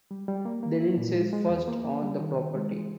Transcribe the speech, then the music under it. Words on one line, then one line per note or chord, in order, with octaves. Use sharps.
The Lindsays first owned the property.
G3
G3
A#3
A#3
E4
A#2
G#3
G#3
E2
A#3
A#3
G3
D#3
D#3
G#3
E3